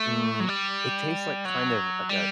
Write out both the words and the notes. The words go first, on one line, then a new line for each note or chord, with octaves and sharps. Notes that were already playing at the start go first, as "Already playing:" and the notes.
mm, it tastes like, kind of, like a
Already playing: A3
F#3
G3
F#3
G3